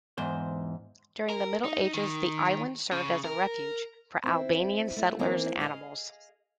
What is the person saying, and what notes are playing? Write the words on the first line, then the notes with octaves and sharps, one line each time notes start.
During the Middle Ages the island served as a refuge for Albanian settlers' animals.
E2 G#2 C5
A#4
D#4
D#3
C#3
A#4
C4 E4
A3 E4
E3 A#3 C4 D#4
G#4 B4 D5 D#5 F5